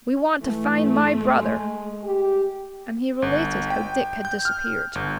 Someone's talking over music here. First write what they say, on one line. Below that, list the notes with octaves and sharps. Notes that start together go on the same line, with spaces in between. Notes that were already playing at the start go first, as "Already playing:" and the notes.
"We want to find my brother," and he related how Dick had disappeared.
G#2 E3 A3
G#3
G4
G1
G5
G6
F6
G1